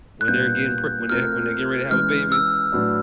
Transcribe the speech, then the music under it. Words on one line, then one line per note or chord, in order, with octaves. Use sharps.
when they're getting pre when they're when they're getting ready to have a baby.
F#6
A#2 G3 B3 D4 G6
A3 C4 F4 A#4 F6
E3 G#3 C#4 F6
E6
A2 F#3 B3 D4